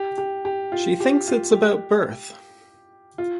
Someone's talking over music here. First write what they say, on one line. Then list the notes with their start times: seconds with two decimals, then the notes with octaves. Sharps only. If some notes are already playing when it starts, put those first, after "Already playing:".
She thinks it's about birth.
Already playing: G4
0.18 G4
0.45 G4
0.72 F4
1.00 G4
1.28 F4
1.54 G4
3.18 F4